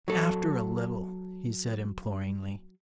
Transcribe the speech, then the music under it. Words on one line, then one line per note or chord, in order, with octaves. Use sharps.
"After a little," he said imploringly.
F#3 A4